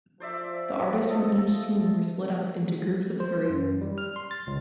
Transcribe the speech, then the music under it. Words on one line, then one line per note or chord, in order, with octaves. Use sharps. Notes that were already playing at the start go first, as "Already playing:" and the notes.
The artists from each team were split up into groups of three.
F3 C5 D5 E5
A4 D#5
C5
F#2
G3
F6
C6
A6
C#2